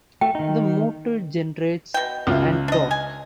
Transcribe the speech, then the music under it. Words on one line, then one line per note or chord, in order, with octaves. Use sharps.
The motor generates and torque.
A3 G5
D#3 D#4
B2 G5
C#2 F4 E5
D4 D#5
G#5